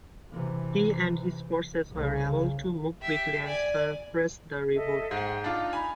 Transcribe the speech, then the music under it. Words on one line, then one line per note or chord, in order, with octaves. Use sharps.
He and his forces were able to move quickly and suppress the revolt.
C3 E3
C2 C#3
G4 E5
D5 G#5
A4 D#5 E5
G#2 C5 F#5 G5
D4 D#4 F4
G#5 B5